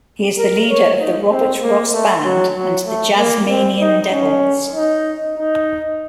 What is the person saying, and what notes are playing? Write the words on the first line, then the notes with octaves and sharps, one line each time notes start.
He is the leader of the Robert Ross Band and The Jazz-Manian Devils.
A#4
C#5
D#4
C4
A#3
A3
F#3
F#3
A3
A#3
C4
D#4
C#4
D#4
D#4